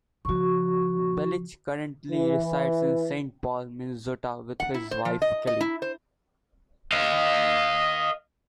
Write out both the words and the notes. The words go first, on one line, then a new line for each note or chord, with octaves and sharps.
Belich currently resides in Saint Paul, Minnesota, with his wife Kelly.
C#3 F3 F#4 C#6
E3
F#5
E4
C5
F3
D#5
D#5
E4
C5
D#5 F5